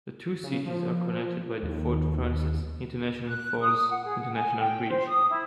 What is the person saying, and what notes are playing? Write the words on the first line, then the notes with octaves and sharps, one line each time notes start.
The two cities are connected by the Fort Frances - International Falls International Bridge.
C#3
F3
D#2
F#6
D#6
F#5
G#4
F#5
G#5
G5
C5
D#6
E4